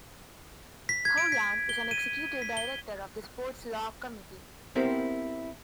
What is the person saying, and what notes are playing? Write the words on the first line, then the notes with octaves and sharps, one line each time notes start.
Holland is an executive director of the Sports Law Committee.
B6
G#6
D7
B6
G7
D#7
B6
G7
B3 C4 E4 G4 A#4 C5